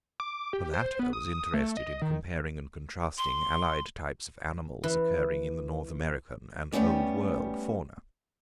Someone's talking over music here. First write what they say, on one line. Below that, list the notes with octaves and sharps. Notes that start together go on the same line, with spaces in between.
The latter was interested in comparing and contrasting allied types of animals occurring in the North American and Old World fauna.
D6
G4
C5
B3
D#6
A3
D#5
D#3
C6
E3
G3 A3 B3 C#4 G4